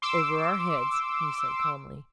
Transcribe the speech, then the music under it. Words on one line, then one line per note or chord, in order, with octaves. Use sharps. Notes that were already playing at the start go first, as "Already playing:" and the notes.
"Over our heads," he said calmly.
C6 D6 E6